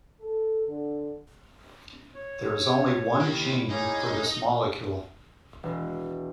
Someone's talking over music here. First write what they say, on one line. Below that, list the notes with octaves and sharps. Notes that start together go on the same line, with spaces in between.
There is only one gene for this molecule.
A4
D3
C#5
A#3 E4 G4
A#3 C#4 D#4 G#4
E1